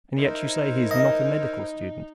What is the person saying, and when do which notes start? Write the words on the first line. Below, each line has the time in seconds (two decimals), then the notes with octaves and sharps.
"And yet you say he is not a medical student?"
0.17 D#4 E4 A#4 C5
0.91 D#5